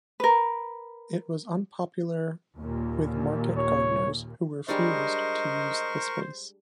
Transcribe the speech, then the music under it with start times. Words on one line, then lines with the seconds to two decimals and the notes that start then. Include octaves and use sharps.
It was unpopular with market gardeners who refused to use the space.
0.20 A#4 B4
2.57 D#2 A#2
3.57 C#5
4.68 G3 G#3 D4 A#4 C5 D#5 C#6